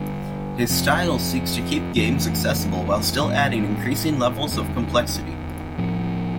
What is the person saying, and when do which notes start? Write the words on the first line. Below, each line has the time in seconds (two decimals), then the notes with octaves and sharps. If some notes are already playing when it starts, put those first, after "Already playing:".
His style seeks to keep games accessible while still adding increasing levels of complexity.
Already playing: D3 G3 D4
0.69 F2 C3 F3 C4
1.96 F2 E3 A3 D4
3.23 A2 G3 B3
4.51 E2 D3 G3
5.78 A2 F3 C4